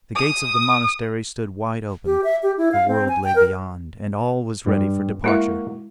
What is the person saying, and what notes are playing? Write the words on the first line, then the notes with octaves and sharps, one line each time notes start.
The gates of the Monastery stood wide open, the world lay beyond, and all was ready for departure.
D#6
G4
E5
G4
E4
F5
C4
G#5
G5
A#4
G2 G3
G#3 A#3 E4 F#4 A#4 E5